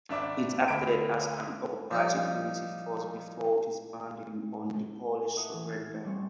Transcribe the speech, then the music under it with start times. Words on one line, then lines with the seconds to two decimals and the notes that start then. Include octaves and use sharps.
It acted as an occupied security force before disbanding on the Polish surrender.
0.09 G#1 D4 E5 D6
0.68 D2 B5 D7
1.91 F3 G3 D#4
5.24 A5
5.37 E5 F#5 G#5 D#6
5.53 E3
5.68 E6 F6 A6 C7 E7
6.05 G3 A3 C4 C#4